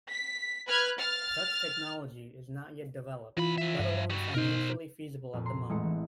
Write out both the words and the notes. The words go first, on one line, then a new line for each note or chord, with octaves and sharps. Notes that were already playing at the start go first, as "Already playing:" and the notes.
Such technology is not yet developed, let alone financially feasible at the moment.
B6
B4 F6 F#6 G#6
F6 A6
C3 E3 F4 B5
F3 E5
G2
G3 F#4
B2 D#4 A#4 C5
F2 A#2
A#5 C6 C7
A1 G#3 A3 F#5 A#5 C#7
E3